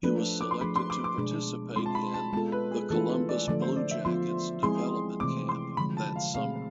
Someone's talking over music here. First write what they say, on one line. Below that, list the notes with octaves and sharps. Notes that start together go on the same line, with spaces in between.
He was selected to participate in the Columbus Blue Jackets Development Camp that summer.
F3 A3 D4 F4 A4 B4
D6
C6
F3 A3 D4 G#4 B5
C6
D6
D6
B2 G#3 D4 G#4
G#3 C4 F4 C6
A5
B5
A5
G#3 B3 F4 A4 A5
B4
G#4
E3 A3 D4 F4 A4
B4
D5
D3 F3 A3 D4 A4 D5
C5
D5
E5
F3 B3 F4 C6
F3 G#3 C4 E4 G#4 C6
C3 E3 A3 C4 D6
C6
D3 F3 G#3 B5
A5
F5
B2 A3 C4 G#4 F5